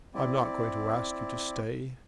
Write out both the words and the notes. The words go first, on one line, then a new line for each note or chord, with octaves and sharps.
I'm not going to ask you to stay.
C4 E4 D5